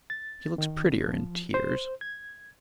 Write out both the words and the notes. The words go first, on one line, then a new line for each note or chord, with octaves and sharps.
She looks prettier in tears.'
A6
D#3
F3
C5
G#6